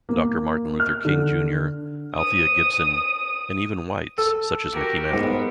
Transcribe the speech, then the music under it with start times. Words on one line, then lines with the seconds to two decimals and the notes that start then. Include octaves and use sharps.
Doctor Martin Luther King, Junior Althea Gibson, and even whites such as Mickey Mantle.
0.09 A#3
0.80 F6
1.05 D3
2.14 D#6 D#7
4.18 A4
4.72 F#4 G4 A#4
5.14 G#2 B3